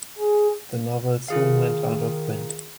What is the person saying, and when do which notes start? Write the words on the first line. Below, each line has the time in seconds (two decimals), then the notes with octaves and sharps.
The novel soon went out of print.
0.18 G#4
1.28 D#3 F4 G#4 F5